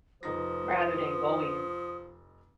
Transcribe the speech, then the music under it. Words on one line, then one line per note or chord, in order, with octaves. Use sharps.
rather than going
F1 F3 D#4 B4 D#6 A#6